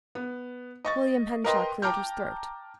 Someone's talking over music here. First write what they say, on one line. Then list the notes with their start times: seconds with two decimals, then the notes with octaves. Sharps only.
William Henshaw cleared his throat.
0.15 B3
0.85 D#5 C#6 A6
1.44 A#4 B4 D#5 G5 C6
1.82 G5 A5 A#5 D6 F6 G6